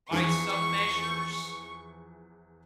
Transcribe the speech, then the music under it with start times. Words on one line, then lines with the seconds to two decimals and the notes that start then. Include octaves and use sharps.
by some measures,
0.11 E2 E3 F3 C#6